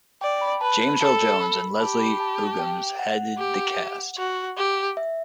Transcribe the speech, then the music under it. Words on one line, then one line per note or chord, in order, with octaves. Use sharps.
James Earl Jones and Leslie Uggams headed the cast.
D5 G5
B5
B4 A5
A5
B5
A4 A5
B5
B5
G4 A5
B5
A5
A5
G5
F#5
G4
F#4
G4
E5